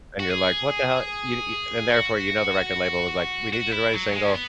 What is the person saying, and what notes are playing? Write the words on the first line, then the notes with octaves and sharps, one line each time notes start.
and you're, like, "What the hell?" You t e and therefore, you know the record label was, like, "We need you to write a single
F#4
G#4
F#4
F#4
E4
F#3
G#3
C#4
B3